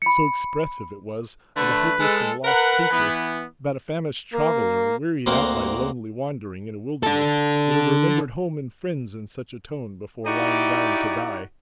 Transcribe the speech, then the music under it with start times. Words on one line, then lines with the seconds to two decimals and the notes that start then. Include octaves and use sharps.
So expressive it was, of a hopeless and lost creature, that a famished traveller, wearied out by lonely wandering in a wilderness, would have remembered home and friends in such a tone before lying down to die.
0.02 B5 C#7
1.57 D3 A3 B4
2.00 G#3 A4
2.45 A#4 B4 F#5
2.91 E3 B3
4.34 A#3
5.26 D2 A#3 C4 F#4 A#4 C6
7.03 D4 A4
10.26 D#4 E4 F#4 G4 D5